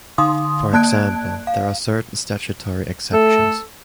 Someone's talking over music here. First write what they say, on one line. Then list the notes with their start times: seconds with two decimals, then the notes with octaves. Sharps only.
For example, there are certain statutory exceptions.
0.18 D3 D#4 F5 C6 D#6
0.73 A#3 D5 A5 F#6 G#6 D7
1.47 F5
3.13 A3 A4